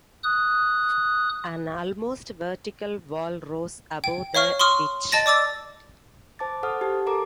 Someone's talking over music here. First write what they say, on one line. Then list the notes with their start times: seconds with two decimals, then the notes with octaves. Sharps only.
An almost vertical wall rose above the ditch.
0.23 D#6 F#6
4.04 G5
4.35 C#5 F5 C#6 F6
4.59 C6 C#6 D#6 F6
5.12 D#5 A5 A6 A#6
5.26 D5 D6 E6 A6
6.39 C5 A5 D6 A6
6.63 A4 C5 F#5 D#6 F6
6.81 G4 A5
7.06 A4 A#4 A5 A#5 D6